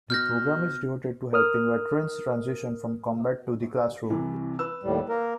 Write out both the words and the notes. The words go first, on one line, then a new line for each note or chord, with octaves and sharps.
The program is devoted to helping veterans transition from combat to the classroom.
B2 F6 G6 A#6
A#4 D#6 F6
C2 C3 E3
B4 E6
D#2 A2 G3
A#3 A#4